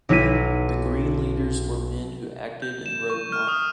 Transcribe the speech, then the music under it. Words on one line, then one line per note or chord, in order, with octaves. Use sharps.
"The Green leaders were men who acted and wrote not".
B1 F#3 E4 B6 D#7
G6
E7
C#6
F6
D#6